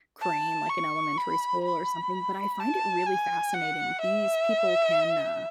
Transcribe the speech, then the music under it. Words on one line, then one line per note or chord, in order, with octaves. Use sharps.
crane, like, in elementary school or something, but I find it really fascinating. These people can, uh,
A5
C#6
B5
B5
A5
G#5
F#5
E5